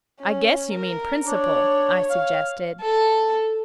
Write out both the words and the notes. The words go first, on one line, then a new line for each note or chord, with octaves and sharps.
"I guess you mean principle," I suggested.
C#4
A#4
D4 C#5
F5
A4